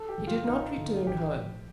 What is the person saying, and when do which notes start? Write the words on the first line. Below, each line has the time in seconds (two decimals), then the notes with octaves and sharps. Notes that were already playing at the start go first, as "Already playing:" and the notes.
He did not return home.
Already playing: A4
0.09 G4
0.18 G2 D3 F3
0.27 F4
0.47 A1 D#4
0.76 G2 D3 F3
1.06 A1 G4
1.35 A2 F3